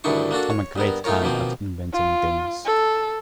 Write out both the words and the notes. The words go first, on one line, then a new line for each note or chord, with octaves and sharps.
I’m a great hand at inventing things.
D2 G2 D#3 D4 E4 C#6
A#3 D4 F#4 A4
C#5
G2 B3 A#4
A3 D#4 F4 A#4 C#5
B2 D#3 F3 A#3 C4
F4
A4